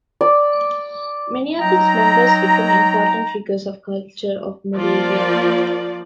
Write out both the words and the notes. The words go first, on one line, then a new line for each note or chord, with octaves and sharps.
Many of its members become important figures of culture of Moravia.
D5
F#3 D#4 D#5 G5 A#5
F3 A#3 F4 D5